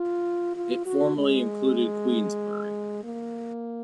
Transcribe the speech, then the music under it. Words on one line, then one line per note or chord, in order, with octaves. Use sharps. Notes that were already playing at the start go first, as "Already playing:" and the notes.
It formerly included Queensbury.
Already playing: F4
F4
F#4
G#3
A#3